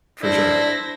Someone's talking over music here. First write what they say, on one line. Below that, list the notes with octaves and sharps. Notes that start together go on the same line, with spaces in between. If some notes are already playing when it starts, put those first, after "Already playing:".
For sure.
D4 E4 C5 A#6